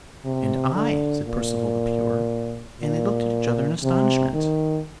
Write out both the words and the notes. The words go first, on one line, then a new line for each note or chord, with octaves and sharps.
"And I," said Percival the Pure; and they looked at each other in astonishment.
C3
D3
A#2
A#2
C3
D#3